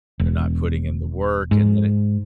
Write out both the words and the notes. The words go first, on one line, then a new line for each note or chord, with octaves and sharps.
They're not putting in the work, and then it
E1
G#2